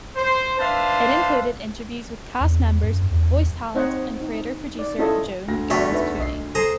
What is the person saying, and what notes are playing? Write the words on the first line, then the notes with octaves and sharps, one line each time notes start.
It included interviews with cast members, voice talent, and creator-producer Joan Ganz Cooney.
C5
D4 B4 C5 E5 F5 A5
E2
F#2
E2
C4 D#4 C5 C#5 D#5 F#5
D#4
D#4 D5
C#4 E4 F4 A4 C#5 D#5
D2 A#6
E2 A3 F#4 C#5 D5 E5
D#4 B4 E5
B1 D#5 C7
G#4 A4 C5 A#5